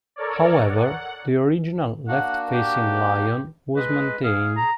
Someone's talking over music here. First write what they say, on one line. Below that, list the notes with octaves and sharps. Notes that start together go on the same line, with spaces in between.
However, the original left-facing lion was maintained.
A4 A#4 C#5 D5
F#5
A#3 D4 F#4 F#5
G4
G#3 B4 D#5
G#4 F5
A#5